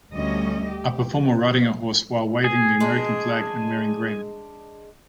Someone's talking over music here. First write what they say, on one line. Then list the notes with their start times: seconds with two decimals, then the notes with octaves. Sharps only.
A performer riding a horse, while waving the American flag and wearing green.
0.12 D2 G3 A3 C#4 D#5
0.66 G4
2.44 G#4 G#5
2.80 G#3 D4